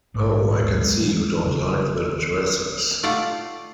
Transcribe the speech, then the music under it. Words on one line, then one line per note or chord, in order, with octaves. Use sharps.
Oh, I can see you don’t like the dresses!
A#1 G#2 A3
A#1 D#2 G#2
C2 G3 G#3
E3 G#3
F1 C#3 F#3
A3 F4 D5 F#5